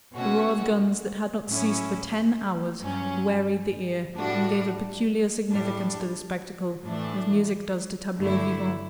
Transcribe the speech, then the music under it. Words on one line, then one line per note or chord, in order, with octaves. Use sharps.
The roar of guns, that had not ceased for ten hours, wearied the ear and gave a peculiar significance to the spectacle, as music does to tableaux vivants.
B2 A3 C#4 F#4
A2 F#3 C#4 E4
G2 F#3 C#4
A2 G3 D4 F#4
A2 G3 D4
A2 E3 A3 D4
G2 D3 A3 E4